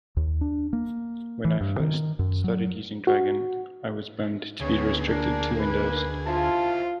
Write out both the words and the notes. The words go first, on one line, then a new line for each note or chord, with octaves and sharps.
When I first started using Dragon, I was bummed to be restricted to Windows.
D#2
D4
A#3
E3
G2
D#3
F#2
F#3
F#4
D2 C#3 B3 G#4 C#5
A#3 D4
B4
E4 F4 C5 A5